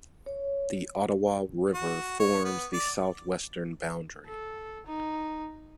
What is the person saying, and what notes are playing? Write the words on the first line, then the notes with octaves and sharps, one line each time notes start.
The Ottawa River forms the southwestern boundary.
C#5
F#4
C#5
B3
D5
A4
D#4